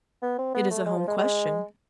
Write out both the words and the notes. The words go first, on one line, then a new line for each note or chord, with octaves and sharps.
'It is a home question.
B3
C4
B3
A3
G#3
F3
G#3
G#3